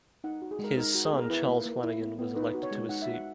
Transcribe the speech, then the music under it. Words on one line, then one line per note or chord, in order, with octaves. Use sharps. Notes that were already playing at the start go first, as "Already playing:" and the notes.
His son, Charles Flanagan, was elected to his seat.
D#4 F#5
F#4
G#4
G#3
A#4
D#4 A#4
F#4
G#4
B3
A#4
E4 B4
A#3
A#3
E4
B3
B3
D#4 B4
F#4
C#5
G#3
D#4 F#5
E5
F#4
F#5